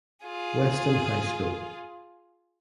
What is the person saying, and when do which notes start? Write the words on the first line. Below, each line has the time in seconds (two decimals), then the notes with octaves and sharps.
Weston High School.
0.25 F4 G#4